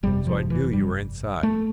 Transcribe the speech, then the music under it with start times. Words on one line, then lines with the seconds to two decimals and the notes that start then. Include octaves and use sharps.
So I knew you were inside.
0.03 G1 F2 C3 G3
0.27 F3
0.50 E3
0.73 G3
1.43 A3